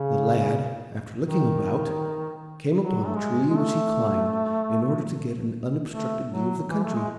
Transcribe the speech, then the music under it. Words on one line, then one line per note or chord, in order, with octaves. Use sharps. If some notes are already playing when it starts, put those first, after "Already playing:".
The lad, after looking about, came upon a tree which he climbed in order to get an unobstructed view of the country.
Already playing: C#3
D#3
F#3
A3
G#3
G#3
A3
A3
F#3
E3
A3
G#3